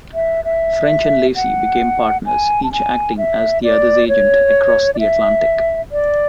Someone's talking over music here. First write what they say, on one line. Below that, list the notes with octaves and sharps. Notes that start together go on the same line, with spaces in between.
French and Lacy became partners, each acting as the other's agent across the Atlantic.
E5
E5
F#5
G#5
A5
G#5
E5
D5
C#5
D5
E5
D5